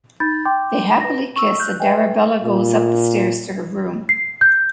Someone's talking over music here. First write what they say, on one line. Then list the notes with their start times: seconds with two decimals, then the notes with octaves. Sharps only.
They happily kiss and Arabella goes up the stairs to her room.
0.20 D#4 B5 G6 A6
0.45 G5 C6 D6 G6
1.01 B4 A#6
1.36 C#6 E6
1.60 F#6 G6
1.80 B4 D#5 E5 G5 G#5
2.44 A#2
4.09 C7
4.41 G6